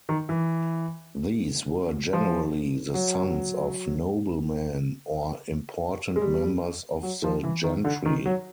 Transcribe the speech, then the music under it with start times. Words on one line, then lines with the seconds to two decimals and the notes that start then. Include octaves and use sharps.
These were generally the sons of noblemen or important members of the gentry.
0.09 D#3
0.29 E3
2.13 F3
2.94 F#3
6.16 G#3
6.22 G3
7.03 F#3
7.24 F3
7.44 E3
7.64 D#3
7.84 D3
8.05 D#3
8.26 F#3